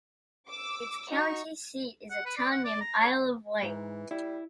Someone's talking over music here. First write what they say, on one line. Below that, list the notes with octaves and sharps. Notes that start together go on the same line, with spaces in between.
Its county seat is a town named Isle of Wight.
D6 E6
D#4 F#4 C#6
F#5
B4
D5
F#5
D5
A#5
C#5
G#2 E3
G3 E4